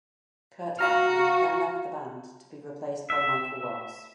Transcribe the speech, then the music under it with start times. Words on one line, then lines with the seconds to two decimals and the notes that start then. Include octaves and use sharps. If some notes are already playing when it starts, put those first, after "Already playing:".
Curt Eckman then left the band, to be replaced by Michael Wells.
0.79 F#4 F5 A#5 F6
3.10 E5